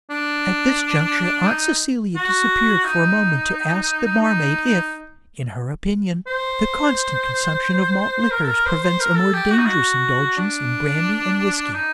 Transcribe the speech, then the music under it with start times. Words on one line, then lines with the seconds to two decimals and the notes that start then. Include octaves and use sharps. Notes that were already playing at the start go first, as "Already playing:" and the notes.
At this juncture Aunt Celia disappeared for a moment to ask the barmaid if, in her opinion, the constant consumption of malt liquors prevents a more dangerous indulgence in brandy and whisky.
0.10 D4
1.47 D#4
2.16 F#4
2.85 D#4
4.22 D#4
6.27 C5
8.31 A#4
8.44 A4
8.48 A#4
8.66 C5
8.83 C5
9.00 A#4
9.17 A4
9.34 G4
9.51 F#4
9.58 D#4
9.66 F#4
10.37 D4
11.74 D#4